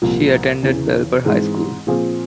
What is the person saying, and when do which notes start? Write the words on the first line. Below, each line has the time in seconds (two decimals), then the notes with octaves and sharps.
She attended Belper High School.
0.02 C2 A#2 F3
0.63 E2 C#3 E3
1.25 G#2 E3 G#3 C4
1.87 A#2 F3 C4 F4 G#4